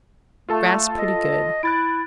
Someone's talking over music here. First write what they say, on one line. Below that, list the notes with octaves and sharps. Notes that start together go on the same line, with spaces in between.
Grass pretty good.
A3 F4 A4 A5
D#5
E4 F#6 A6 D7